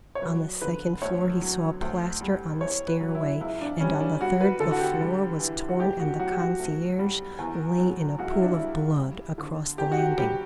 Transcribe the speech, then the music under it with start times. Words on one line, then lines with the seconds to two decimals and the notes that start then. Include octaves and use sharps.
On the second floor he saw plaster on the stairway, and on the third the floor was torn and the concierge lay in a pool of blood across the landing.
0.15 C#5
0.22 F#3 B4
0.62 D3 B4
1.02 D2 C#5
1.42 F#3
1.81 D2
2.21 G3
2.61 E2 C#5
2.88 B4
3.01 F#3
3.15 E4
3.41 C#2 E4
3.61 D4
3.80 G3 C#4
4.00 D4
4.20 G3 F#4
4.41 B4
4.60 D3 A4
4.71 F#4
4.79 G4
5.00 G3
5.40 E3
5.69 F#4
5.80 D2 G4
6.00 F#4
6.19 F#3 F#4
6.32 G4
6.39 F#4
6.59 D2
6.99 G3
7.38 E2
7.78 F#3
8.19 C#2 F#4
8.30 E4
8.42 D4
8.53 G3 E4
8.98 G3
9.38 D3
9.78 E2 G4
9.92 F#4
9.98 G4
10.18 G3 G4